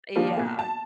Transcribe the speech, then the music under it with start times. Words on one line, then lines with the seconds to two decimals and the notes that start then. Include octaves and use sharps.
Uh, yeah.
0.16 D#3 F3 G3 A#3 D4 F4
0.37 B1 A#3
0.59 A5